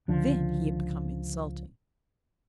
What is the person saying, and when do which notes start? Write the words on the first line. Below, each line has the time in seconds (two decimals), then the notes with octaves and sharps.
Then he had become insulting.
0.08 C#2 D3 F3